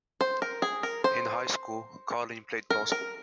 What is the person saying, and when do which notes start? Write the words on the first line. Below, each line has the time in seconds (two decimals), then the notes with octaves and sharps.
In high school, Carlene played basketball.
0.21 C5
0.42 A#4
0.62 G#4
0.83 A#4
1.04 C5
2.70 A#4
2.92 A#4